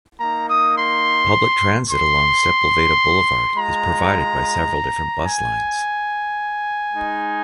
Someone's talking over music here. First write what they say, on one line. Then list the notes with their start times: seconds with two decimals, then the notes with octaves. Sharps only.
Public transit along Sepulveda Boulevard is provided by several different bus lines.
0.19 A#3 D#4 A#5
0.48 D#6
0.76 C6
1.88 C6
3.56 G#3 F4 A#5
5.25 G#5
6.94 G#3 D#4